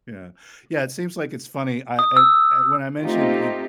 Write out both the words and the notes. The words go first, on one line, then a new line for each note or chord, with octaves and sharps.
Yeah. Yeah, it seems like it's funny. I I when I mentioned you
D#6
E6
A3 C4 D#4 F4 G4